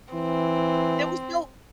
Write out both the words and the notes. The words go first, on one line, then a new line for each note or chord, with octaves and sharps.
there was no"
E3 C4